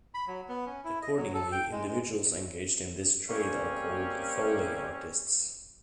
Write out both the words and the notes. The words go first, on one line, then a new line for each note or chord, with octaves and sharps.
Accordingly, individuals engaged in this trade are called "Foley artists".
B5
F#3
B3
C#4
E4
D#5
F#3
A4
G5
G#3
G#3
G3 A#3 C4 C#4